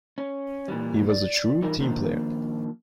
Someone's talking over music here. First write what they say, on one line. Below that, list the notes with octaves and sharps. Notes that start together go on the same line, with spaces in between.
He was a true team player.
C#4
A#2 E3 G3
D5
E3 G3 D#4 F4 A#4
D#3 F3 A#3 D4